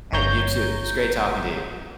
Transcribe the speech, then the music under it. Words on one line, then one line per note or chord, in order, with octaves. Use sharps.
Hey, you too. It's great talking to you.
G1 C#5 A#5 G6